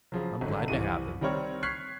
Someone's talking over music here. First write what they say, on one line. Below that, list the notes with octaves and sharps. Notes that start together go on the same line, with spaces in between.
I'm glad to have them.
C#3 F3 F#3
G#1 D3 F#3
C2 C3 E3 D#7
D#3 G3 C4 A#4 C#5
C#6 F6 F#6 G#6 B6 C7